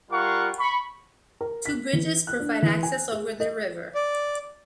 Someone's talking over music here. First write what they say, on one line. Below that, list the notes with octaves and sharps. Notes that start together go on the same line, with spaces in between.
Two bridges provide access over the river.
G3 F4 A#4 F5 F#5 C#6
B5 C#6
A#4
B6
E3
F#6
D4
E3
G#5
G#4
D#5
D5